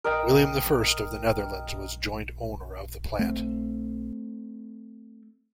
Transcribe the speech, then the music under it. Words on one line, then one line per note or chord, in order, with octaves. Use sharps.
William I of the Netherlands was joint owner of the plant.
A#4 D#5 G5
A3 C4